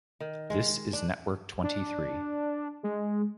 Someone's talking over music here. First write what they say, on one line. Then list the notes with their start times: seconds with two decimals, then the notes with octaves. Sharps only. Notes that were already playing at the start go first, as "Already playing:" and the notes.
This is network twenty three.
0.20 D#3
0.50 G#3
0.93 D4
1.63 D4
2.83 G#3